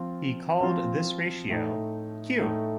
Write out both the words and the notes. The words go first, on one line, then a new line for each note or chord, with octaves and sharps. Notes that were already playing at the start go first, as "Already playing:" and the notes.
He called this ratio "Q".
Already playing: F3 C4 F4
F3 C4 F4
A2 A3 D#4
A2 A3 D#4